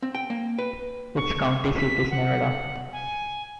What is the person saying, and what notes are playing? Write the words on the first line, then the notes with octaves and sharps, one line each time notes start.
Its county seat is Nevada.
C4
G5
A#3
B4
C#6
B6
F#5
G#5